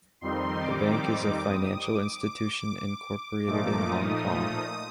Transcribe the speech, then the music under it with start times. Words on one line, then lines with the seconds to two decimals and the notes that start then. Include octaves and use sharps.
The bank is a financial institution incorporated in Hong Kong.
0.21 F2 D#3 G3 C4 D#4 C6
0.62 D6
1.03 D6
1.43 D#6
1.83 D6
3.47 A#2 F3 A3 D#4 D6
3.87 D#6